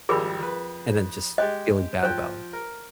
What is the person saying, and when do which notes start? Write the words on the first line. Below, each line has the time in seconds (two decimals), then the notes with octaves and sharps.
and then just feeling bad about it.
0.09 G#1 F2 G3 G#4 A#4 B5
0.40 F2 B4
1.38 G#3 G4 D#5 F#6
2.03 F3 C5 G5
2.53 A#4